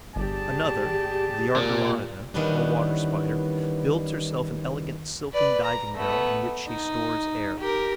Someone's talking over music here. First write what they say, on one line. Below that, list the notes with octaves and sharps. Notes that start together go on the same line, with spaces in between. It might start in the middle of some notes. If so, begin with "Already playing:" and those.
Another, the Argyroneta, or Water Spider, builds herself an elegant silken diving-bell, in which she stores air.
G1 G4 G#4 D5 A5
A#2
D#3 E3 G3 B3 C#4 D4
B4 D5
A#5
A3 B3
D#4
G4 A#4